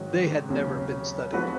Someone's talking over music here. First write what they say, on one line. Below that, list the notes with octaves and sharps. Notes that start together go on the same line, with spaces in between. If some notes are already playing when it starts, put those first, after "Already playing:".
They had never been studied.
Already playing: G#2 D#3 F#3 C#4 F#4
D#2 C#3 F#3 C#4
F3 G#3 B3 F#4 B4